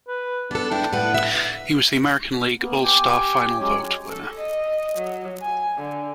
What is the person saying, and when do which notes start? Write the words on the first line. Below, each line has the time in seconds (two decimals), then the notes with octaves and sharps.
He was the American League All-Star Final Vote winner.
0.08 B4
0.51 B3 D4 A4
0.71 D4 E4 G5
0.93 A2 B3 B4 F#5
1.14 E5
2.59 A#3 B3
2.83 G4 G5 G#5
3.59 F#3 G#3 C#4 G4 C#5
4.09 A4
4.38 D#5
4.97 F#3
5.42 G#5
5.77 D3